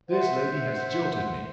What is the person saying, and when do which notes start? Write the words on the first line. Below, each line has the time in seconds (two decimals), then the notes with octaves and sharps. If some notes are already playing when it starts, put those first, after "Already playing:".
"This lady has jilted me."
0.09 C5 E5 F#5